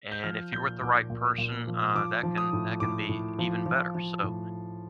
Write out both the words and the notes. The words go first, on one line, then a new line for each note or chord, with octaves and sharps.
and if you're with the right person, uh, that can that can be even better, so,
G6
F3 F6
A#2 G6
A#2 D6
A#2
A#2
F3
F3 D6
F3
D#6
A2
A2 D6
A2
F3
F3
F3
A2